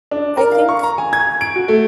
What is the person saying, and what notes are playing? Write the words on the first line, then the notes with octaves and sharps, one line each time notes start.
I think,
D4
A#4
F5
C#6
A#5
G#5
G#6
D7
F#4
A3